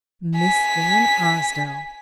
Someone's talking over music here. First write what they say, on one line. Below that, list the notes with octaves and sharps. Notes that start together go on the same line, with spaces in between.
"Miss Van Arsdale!"
G#5 B6